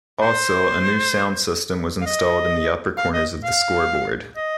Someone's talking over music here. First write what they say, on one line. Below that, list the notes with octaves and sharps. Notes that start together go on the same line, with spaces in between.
Also, a new sound system was installed in the upper corners of the scoreboard.
C5
F5
D#5
F5
D#5
F5
D#5